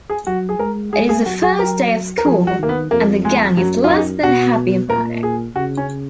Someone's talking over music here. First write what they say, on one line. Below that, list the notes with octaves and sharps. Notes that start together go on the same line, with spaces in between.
It is the first day of school, and the gang is less-than-happy about it.
G#4
F#3 F#4
G#4
G#3 A#4
G#3 G#4
G#4
F#3 F#4
G#4
A#4
A#4
F3 G#4
F#4
D#3 A#3
B3
F2 A#3
G#3
F#2 F#3
F4
D#4
B2 F#4
A#2 A#4
G#4
C#3 F#4
C#4